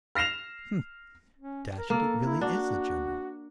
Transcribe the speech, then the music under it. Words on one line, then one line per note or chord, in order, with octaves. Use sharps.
Hm, dash it, it really is a general!
F6 A#6 C7 E7 F7
C#4
A#4
A#3 A4
E4
D4 F#4